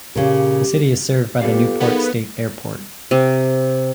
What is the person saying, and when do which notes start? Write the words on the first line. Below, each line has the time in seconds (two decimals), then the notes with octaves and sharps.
The city is served by the Newport State Airport.
0.16 A#2 C#3 G4
1.42 B3 F4 G4 A4 B4 D5 F5
1.80 B3 D#4 G#4 A#4
3.11 C3